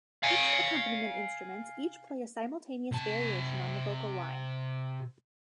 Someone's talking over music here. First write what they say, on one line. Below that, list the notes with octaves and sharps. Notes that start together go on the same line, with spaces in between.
Pitched accompaniment instruments each play a simultaneous variation on the vocal line.
F5 G#5
C3 A5